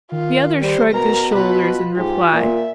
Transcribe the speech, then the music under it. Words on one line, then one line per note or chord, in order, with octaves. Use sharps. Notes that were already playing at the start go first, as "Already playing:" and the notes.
The other shrugged his shoulders in reply.
D#3 F4
G3 C5
B2 A#4 A#5
B2 F4 B4
G#2 G4
A#2 E5